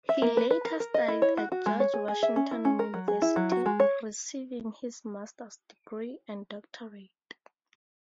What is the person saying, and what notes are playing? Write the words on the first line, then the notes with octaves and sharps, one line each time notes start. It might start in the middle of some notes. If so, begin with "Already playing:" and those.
He later studied at George Washington University, receiving his master's degree and doctorate.
E5
A#3
B4
B4
A#4
A#4
D#5
E4
C#5
F#4
F#4
G#3
C#5
G#4
G#4
E5
C#4
E4
C#4
A#4
F#3
G#4
E4
F#3
F#4
G#3
C#5